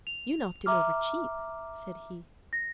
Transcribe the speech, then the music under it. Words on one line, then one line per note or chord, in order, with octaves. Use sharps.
"You knocked him over cheap," said he.
F7
E5 A#5 D6 F6
A#6